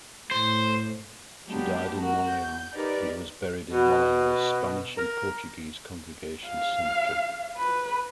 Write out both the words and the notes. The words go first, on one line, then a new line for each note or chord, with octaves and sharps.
She died in Montreal and was buried in Montreal's Spanish and Portuguese Congregation Cemetery.
A2 C5
F#3 G#3 A#3 B3 D4 G4
F#4 A#4
G6
D#4 G4 A#4 B4 D5
B2
A#4
F5
B4